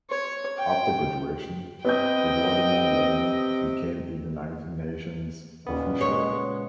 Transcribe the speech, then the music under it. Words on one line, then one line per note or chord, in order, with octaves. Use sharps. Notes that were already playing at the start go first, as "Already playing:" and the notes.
After graduation, Eduardo Mondlane became a United Nations official.
C#5
G5
C3 B3 D#5 G5 G6
D#2 A#2 C#3 B3
G#3 C#5